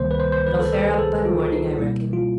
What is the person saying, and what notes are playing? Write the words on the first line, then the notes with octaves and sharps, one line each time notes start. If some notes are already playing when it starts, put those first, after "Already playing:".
It'll fair up by morning, I reckon.
Already playing: C#2 C3 D#3 G3 A#3 C5
B4
C5
C5
B4
A4
A4
G#4
A4
F4
D#4
B2 G3 A#3 E4
F4